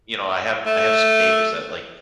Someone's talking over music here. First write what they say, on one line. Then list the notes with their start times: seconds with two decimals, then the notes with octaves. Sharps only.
you know, I have I have some neighbors that, like,
0.66 A3